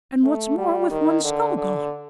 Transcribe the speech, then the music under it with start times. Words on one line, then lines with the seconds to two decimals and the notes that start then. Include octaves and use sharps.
And what's more,--with one scull gone.
0.24 A3
0.58 G3
0.91 D#3
1.24 D3
1.57 D3